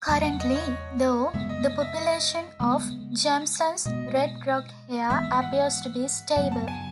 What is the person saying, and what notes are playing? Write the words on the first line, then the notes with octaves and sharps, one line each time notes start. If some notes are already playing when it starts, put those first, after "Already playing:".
Currently, though, the population of Jameson's red rock hare appears to be stable.
E2 C#3 F#3 A3 A5
F#5
D#5
C#5
F#2 C#3 G#3 B3 E5
D#5
E5
D#5
C#3 G#3 B3
B2 G#3 B3 D#5
G#2 E3 G#3 B3 E5
F#5
F#2 C#3 F#3 B3 F#5
A5
G#5